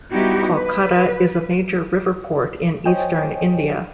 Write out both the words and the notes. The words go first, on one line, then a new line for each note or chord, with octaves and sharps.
Kolkata is a major river port in eastern India.
G3 B3 D#4 E4 F#4 G4
B4
C5 C#5 D#5 G5 G#5